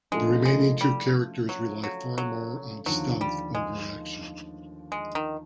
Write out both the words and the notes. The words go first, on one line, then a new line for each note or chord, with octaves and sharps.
The remaining two characters rely far more on stealth over action.
C#3 F3 G#3 A3 D4 F4
G#3
G3
F#3
F#3
F#3
D#2 D3 F3 F#3
G3
G#3
G#3
D#3